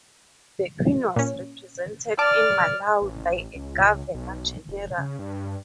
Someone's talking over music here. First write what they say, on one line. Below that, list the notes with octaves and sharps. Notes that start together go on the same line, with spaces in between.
The Queen was represented in Malawi by a Governor-General.
A#2 C#4
D5 A5 D6 F6
A1
C#2
B1
F1
C#3
G2